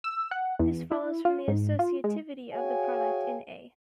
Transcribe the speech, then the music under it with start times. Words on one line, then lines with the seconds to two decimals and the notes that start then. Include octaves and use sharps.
This follows from the associativity of the product in "A".
0.04 E6
0.31 F#5
0.59 E2
0.92 E4
1.25 F4
1.48 G#2
1.79 F4
2.04 G#3
2.53 F#4 G#4 C#5 F5 G5 G#5